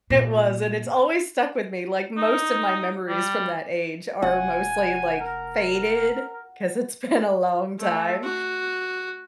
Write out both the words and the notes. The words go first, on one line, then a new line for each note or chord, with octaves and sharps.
It was and it's always stuck with me, like most of my memories from that age are mostly like faded, 'cause it's been a long time.
A#2
D#4
G3
F1 F#5 G#5
A#4
A3
F#4